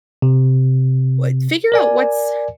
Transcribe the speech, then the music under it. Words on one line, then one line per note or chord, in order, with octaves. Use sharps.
what figure out what's
C3
A#4 D5 G#5